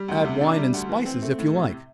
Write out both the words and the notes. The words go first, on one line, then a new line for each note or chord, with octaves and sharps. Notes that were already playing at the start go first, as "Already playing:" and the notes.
Add wine and spices if you like.
Already playing: G3
D2
C3
D4
G3
D2
E3
C4
A3
A2
C3